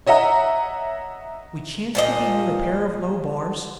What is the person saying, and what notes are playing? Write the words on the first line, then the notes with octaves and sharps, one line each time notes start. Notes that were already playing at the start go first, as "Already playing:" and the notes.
We chanced to be near a pair of low bars.
C#5 D#5 E5 F#5 A#5
A#2 F3 D#5